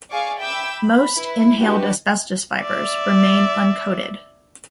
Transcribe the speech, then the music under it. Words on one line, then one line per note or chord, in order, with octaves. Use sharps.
Most inhaled asbestos fibers remain uncoated.
G#4 D5 F5 G#5 C#6 D6
E5 G5 B5 D6 E6
B5
E4 B4
D4 F#4 G4 B4
D5 E5